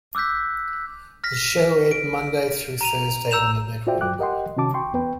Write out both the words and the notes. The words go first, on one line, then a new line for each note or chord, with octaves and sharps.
The show aired Monday through Thursday on the network.
D6 E6 F#6 G6 B6
F6 A#6 B6
D7
A#5 D#7 F7
A#5 E6 G6 E7 F7
F4 F#4 C5 D5 E5 G5
G2 F#3 G5 D6 F#6
G4 A#4 D#5 F#5 G5 C6
C3 D#3 C#4 F#4 A5 D6
G5 C6 C#6
E2 B3 B4 G5